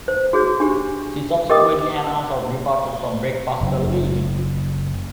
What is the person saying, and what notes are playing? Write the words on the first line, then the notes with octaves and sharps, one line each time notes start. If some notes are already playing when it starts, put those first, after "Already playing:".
She subsequently announced her departure from "Breakfast Television".
C5
F#4 G#4 C#5
D4 G4
G4 A#4 D#5 G5 D6 D#6
F#1